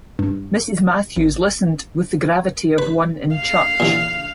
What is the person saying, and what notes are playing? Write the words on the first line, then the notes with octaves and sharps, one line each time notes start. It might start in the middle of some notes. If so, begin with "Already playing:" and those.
Mrs. Matthews listened with the gravity of one in church.
G2
G#1
B4
F5
A#2 E3